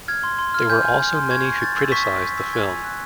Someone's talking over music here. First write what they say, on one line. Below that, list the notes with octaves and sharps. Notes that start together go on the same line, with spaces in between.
There were also many who criticized the film.
F6 G#6
C6
C6
F6
G#5 G6
G#5
F6
C6
C#6 G#6
C#6
G6 A6
E6
C#6 B6
C#6
G6
E6
G#5 G#6
G#5
F#6